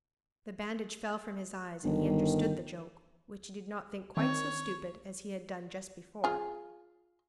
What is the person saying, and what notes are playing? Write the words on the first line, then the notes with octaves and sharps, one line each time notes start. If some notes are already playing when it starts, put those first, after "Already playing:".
The bandage fell from his eyes, and he understood the joke, which he did not think quite so stupid as he had done just before.
G1 D#3
D#3 C4 C#5
F4 G#4